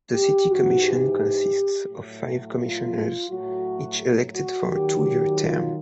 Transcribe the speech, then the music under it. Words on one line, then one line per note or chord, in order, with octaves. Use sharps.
The city commission consists of five commissioners, each elected for a two-year term.
G4
G#2 E3 F#4
G4
A2 F#3
F4
A2 F#3 F#4
F#4
D#2 D#3 F#3 G4
G4
F4